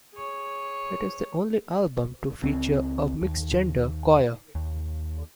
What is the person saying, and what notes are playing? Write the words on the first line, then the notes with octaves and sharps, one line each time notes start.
It is the only album to feature a mixed-gender choir.
G#4 C#5
C#2 C4
D#2
D#2